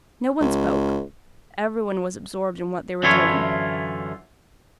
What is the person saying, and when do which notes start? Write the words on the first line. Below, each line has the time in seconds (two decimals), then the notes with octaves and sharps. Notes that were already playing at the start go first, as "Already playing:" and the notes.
No one spoke. Every one was absorbed in what they were doing.
0.40 C#2
3.03 F#2 D3 E3 E4 F4 C#5